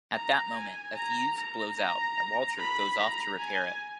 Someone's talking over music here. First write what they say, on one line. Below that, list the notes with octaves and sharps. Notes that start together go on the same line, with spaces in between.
At that moment, a fuse blows out, and Walter goes off to repair it.
A#5
G#5
A#5
A#5
A#5
B5
A#5
G#5